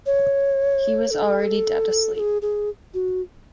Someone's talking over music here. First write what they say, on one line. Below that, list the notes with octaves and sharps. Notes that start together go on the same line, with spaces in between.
He was already dead asleep.
C#5
A4
A4
G#4
G#4
F#4